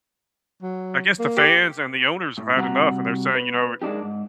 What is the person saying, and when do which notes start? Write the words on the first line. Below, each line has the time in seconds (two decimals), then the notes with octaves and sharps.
I guess the fans and the owners have had enough, and they're saying, you know
0.62 F#3
1.19 A#3
1.37 G4
2.38 A2
2.56 C3 G3 F#4 F#5 A5 A#5
3.35 B4
3.82 G#3 A#3 D4 D#4 G4
4.02 G#2